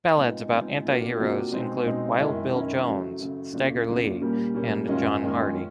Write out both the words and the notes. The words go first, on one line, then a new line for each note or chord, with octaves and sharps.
Ballads about anti-heroes include "Wild Bill Jones", "Stagger Lee" and "John Hardy".
C3 F3 G#3 B3 D#4
C3 F3 G#3 B3 D#4
C3 F3 A#3 D4 F#4
C3 F3 A#3 D4 F#4
B2 G#3 C4 D#4
B2 G#3 C4 D#4
F#2 D#3 G#3 C#4 E4
F#2 D#3 G#3 C#4 E4
C#3 F#3 A3
C#3 F#3 A3
D#2 C#3 F3 A3 D4
D#2 C#3 F3 A3 D4
A#2 G3 A#3 C#4
A#2 G3 A#3 C#4
F#2 D#3 G#3 C#4 F4
F#2 D#3 G#3 C#4 F4
C#4